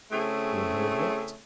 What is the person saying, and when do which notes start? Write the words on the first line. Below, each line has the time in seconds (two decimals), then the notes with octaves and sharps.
Warn her of what?
0.12 C#3 A3 C4 C#4 E4 G#4